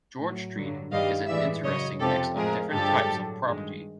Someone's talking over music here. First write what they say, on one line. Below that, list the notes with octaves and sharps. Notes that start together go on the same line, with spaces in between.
George Street is an interesting mix of different types of property.
A2 F#3
G2 D3 F#3
G2 D#3 G3 D#5 F5
A2 E3 G#3 D5 E5
F#2 C#3 F#3 C#5 D#5
F2 C3 F3 G4 A4
A2 F3 G#3 G#4 A#4
G2 D3 F3 G#3 G4 A4
A2 F#3
G2 D#3 G#3